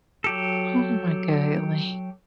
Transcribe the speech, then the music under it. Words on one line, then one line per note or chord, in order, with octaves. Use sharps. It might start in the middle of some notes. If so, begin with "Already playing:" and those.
oh my golly,
F#3 G4 A4